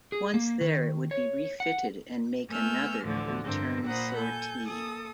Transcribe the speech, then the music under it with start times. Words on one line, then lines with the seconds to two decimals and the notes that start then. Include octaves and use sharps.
Once there, it would be refitted and make another return sortie.
0.12 G#4
0.34 A#3
0.61 D#3
1.11 C#5
1.60 F#5
2.50 A3 B3 G#5 E6 F6 G6
3.04 D2 A2 D3 E3 F3 A3
3.44 G2 D3 C4 A#4
3.85 A#2 C5 F#5 A#5 B5 D#6
4.16 A4 G#5 G6
4.67 A#3 A4 D#6